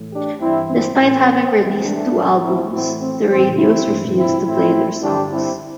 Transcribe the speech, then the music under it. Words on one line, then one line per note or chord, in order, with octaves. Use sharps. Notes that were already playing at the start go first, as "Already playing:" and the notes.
Despite having released two albums the radios refused to play their songs.
Already playing: A2 E3
D4 G4
G2 E3 C4 E4
C4
A2 E3 C4
E2 C3 E3
A3 D4
A2 E3
C4 E4
A2 E3 C4 E4
C4
A2 E3 C4
C4 E4
G2 E3
C4 E4
A2 E3 C4 E4
G2 D3 D4 G4
C4 E4